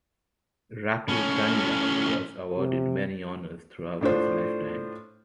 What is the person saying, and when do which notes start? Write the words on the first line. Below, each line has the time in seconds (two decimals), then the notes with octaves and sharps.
Ratu Ganilau was awarded many honours throughout his lifetime.
1.08 A2 C#4
2.58 C3
4.01 A2 D4 F4 C5